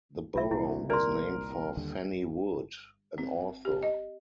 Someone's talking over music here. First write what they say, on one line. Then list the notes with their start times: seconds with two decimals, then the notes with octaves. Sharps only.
The borough was named for Fannie Wood, an author.
0.36 B1 F4 E5
0.51 C2 A#2 E4
0.90 A#4 D5 C6
1.77 D#2 D3 G3
3.18 C4
3.65 G4
3.83 D#5